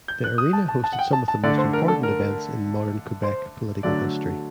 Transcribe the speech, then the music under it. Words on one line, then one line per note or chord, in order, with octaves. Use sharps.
The arena hosted some of the most important events in modern Quebec political history.
G6
F#6
D#6
A5
A5
A5
F#5
G5
A5
A5
D3 A3 D4 D5
C5
A#4
A4
A#4
C5
D3 F#3 A3 D4 D5